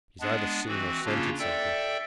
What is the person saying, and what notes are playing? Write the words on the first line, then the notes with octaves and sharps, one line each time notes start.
He's either seen or scented something.
G#3 B3 D4
E3 C4 F#4
C#3 A#3 C#4 D4 F4
A4 D5 E5 G5